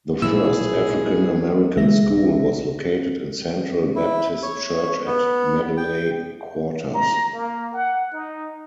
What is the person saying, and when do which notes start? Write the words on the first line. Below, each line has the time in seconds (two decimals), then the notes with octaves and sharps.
The first African American school was located in Central Baptist Church at Medeley Quarters.
0.22 B1 A#2 F3 E4 G#4 E6
0.93 D#5
1.77 B1 C#3 G#3 B3 E5 A#6
3.96 E4
4.43 C#5
5.06 B3
5.77 G5
6.94 A#5
7.33 A#3
7.73 F#5
8.13 D#4